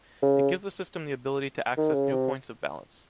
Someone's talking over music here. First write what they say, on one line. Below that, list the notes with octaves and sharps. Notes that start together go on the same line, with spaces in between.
It gives the system the ability to access new points of balance.
C#3
D#3
C#3
C3